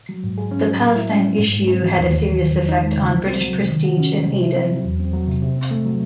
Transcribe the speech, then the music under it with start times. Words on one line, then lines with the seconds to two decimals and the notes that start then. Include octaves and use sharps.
The Palestine issue had a serious effect on British prestige in Aden.
0.09 F#3
0.24 G#2
0.38 G#4
0.51 C#4
0.66 F#3
0.80 A2
0.96 E4
1.10 C#4
1.24 G#3
1.38 G#2
1.53 G#2
1.67 C4
1.82 E3
1.97 D#2
2.10 D#2
2.25 F#3
2.39 D#3
2.54 E2
2.69 D#4
2.82 G#3
2.97 C#3
3.12 C2
3.26 C4
3.41 F#3
3.54 C3
3.70 D#3
3.84 F#4
3.98 C#4
4.12 F#3
4.27 C3
4.41 E4
4.56 C4
4.71 F#3
4.85 E2
4.99 C4
5.13 F#3
5.28 C3
5.42 C3
5.56 C4
5.71 A3
5.86 F#3